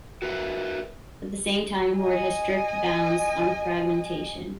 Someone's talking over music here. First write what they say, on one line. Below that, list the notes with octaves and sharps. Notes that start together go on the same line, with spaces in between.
At the same time, Hoard has strict bounds on fragmentation.
F#4 A#4 B4 E5
D#5 G#5